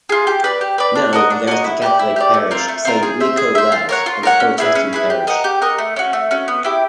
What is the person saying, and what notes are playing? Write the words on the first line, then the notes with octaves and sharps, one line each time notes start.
Now there is the Catholic parish "Saint Nikolaus" and a Protestant parish.
F4 G#4
G4
B4 D5
G4
B4 D5
D4
F#4 A#4 D#5
D4
F#4 A#4 D#5
E4
G4 B4 D5
E4
G4 B4 D5
A3
C4 F4 A#4
A3
C4 F4 A#4
G#4
C5 E5
G#4
C5 E5
F4
A#4 C#5 F#5
F4
A#4 C#5 F#5
C#4
E4 G#4 B4
C#4
E4 G#4 B4
G4
A#4 D#5 F#5
G4
A#4 D#5 F#5
A3
C#4 F#4
A3
C#4 F#4
B3
E4 G4